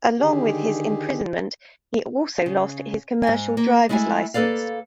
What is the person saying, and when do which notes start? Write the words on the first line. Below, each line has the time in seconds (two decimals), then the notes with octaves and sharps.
Along with his imprisonment, he also lost his Commercial driver's license.
0.19 D3 D#3 G4 G#4
2.46 C#3
3.23 G#2 G#5
3.57 A#3
3.89 G#3 A3 E4 E5 F#5 G#5
4.34 A#3 A4 B4 D5 F5